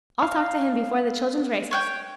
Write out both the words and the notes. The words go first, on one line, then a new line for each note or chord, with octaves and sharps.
I'll talk to him before the children's races.
F5
C#5 F#5 G5